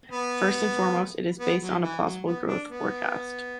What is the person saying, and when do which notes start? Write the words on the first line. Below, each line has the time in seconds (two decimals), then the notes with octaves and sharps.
First and foremost, it is based on a plausible growth forecast.
0.10 B3
1.39 B3
1.61 F#3
1.83 E3
2.04 F#3
2.26 B3
2.47 D4
2.68 B3